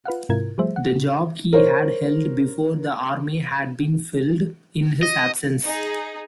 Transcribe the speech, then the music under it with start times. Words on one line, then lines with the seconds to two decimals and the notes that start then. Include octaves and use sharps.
The job he had held before the army had been filled in his absence.
0.05 F4 B4 F5 F#5
0.29 G#2 C3 E4 F4 A#4 G#6
0.58 F3 G3 A3 G#4 C5 E5
0.76 F#5
0.96 C#3
1.53 A#4 C5 C#5
5.03 D#5
5.64 D#4 G#4